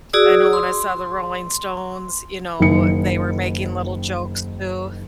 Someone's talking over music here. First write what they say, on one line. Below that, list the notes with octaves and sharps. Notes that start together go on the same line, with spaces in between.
I know when I saw the Rolling Stones, you know, they were making little jokes too.
F#4 G#4 D5 D#6 E6
C6
F#1 D#3 C#7